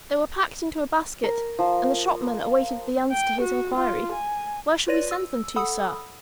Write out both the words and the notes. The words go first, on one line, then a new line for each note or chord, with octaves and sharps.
They were packed into a basket, and the shopman awaited the answer to his inquiry, 'Where shall we send them to, sir?'
A#4
F3
G5
F#4
F4
G#5
F4 B4 C#5 D5 A#6 D#7
E6
A4 F#5 B5 D#6 E6